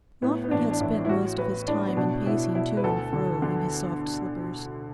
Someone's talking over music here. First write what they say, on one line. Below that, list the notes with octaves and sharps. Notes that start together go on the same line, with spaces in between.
Lawford had spent most of his time in pacing to and fro in his soft slippers.
A2 B3
B3
A1 D4
D4
A1 E4
E4
A2 F#4
A2 B4
A2 D4
B3
B2 D4
B2 E4
B2 E4
B4
D2 A4
D3
D3